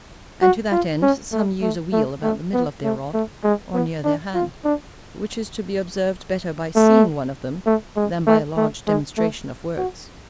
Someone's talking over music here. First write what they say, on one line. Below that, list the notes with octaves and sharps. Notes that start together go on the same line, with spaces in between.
And to that end, some use a wheel about the middle of their rod, or near their hand, which is to be observed better by seeing one of them than by a large demonstration of words.
F#4
F4
C#4
A3
A3
A3
A3
B3
A3
A3
G#3
B3
D4
F4
D4
A3
A3
G#3
A3
A3
G#3
A3
F#4